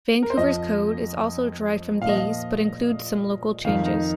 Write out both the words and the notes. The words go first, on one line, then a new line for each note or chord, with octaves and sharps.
Vancouver's code is also derived from these but includes some local changes.
A#4
C5
F2 F3 D#5
A#2 F3 D#5 F5
F5
F2 D#3 F5
D#4